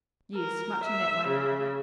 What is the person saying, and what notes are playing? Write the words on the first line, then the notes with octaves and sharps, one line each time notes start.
'Yes, much in that way.
A#4
E5
C#3